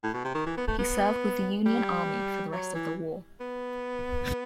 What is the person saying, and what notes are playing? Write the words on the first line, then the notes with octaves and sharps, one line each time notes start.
He served with the Union Army for the rest of the war.
A2
B2
C3
D#3
E3
B3
A3
B3
G3
F#3
E3
B3